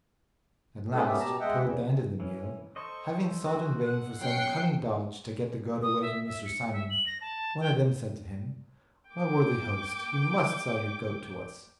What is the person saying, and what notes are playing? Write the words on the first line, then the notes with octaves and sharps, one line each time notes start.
At last, towards the end of the meal, having sought in vain for some cunning dodge to get the goat away from Mr. Simon, one of them said to him, 'My worthy host, you must sell your goat to us.'
G#3 A3 B3 C4 D4 A4
F#2 A3 B3 C#4 G4 E5
B2 G4 A5 A#5
G#3 D#5 E5 F#5 G5
E2 E3
E3 C#4
A4 C5 D#5 C#6
F#4
F#5
F#3 C#4 G5 C7 C#7
D#6
E5
E5
C#7
E5
F#7
A#6
A5
G5
G5 D6